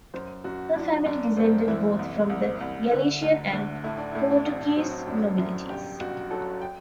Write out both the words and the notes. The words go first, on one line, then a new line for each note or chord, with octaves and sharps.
Her family descended both from the Galician and Portuguese nobilities.
F#2 C5
F#2 F#4
F#2 D4
F#2 D4
F#1 C4
E3 E4
C2
C2
C2
D3
D2
D2
A2 E4
D4
A2 E4
D4
A1
F#3 C4
F#2 D4
F#2 E4
G1 G4
G1 F#4
F#3 A4
G5